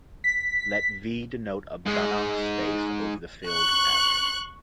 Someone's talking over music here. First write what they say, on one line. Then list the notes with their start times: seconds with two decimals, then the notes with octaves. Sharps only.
Let "V" denote a Banach space over the field "F".
0.24 B6
1.86 G#2 G#3
3.44 C#6 F#6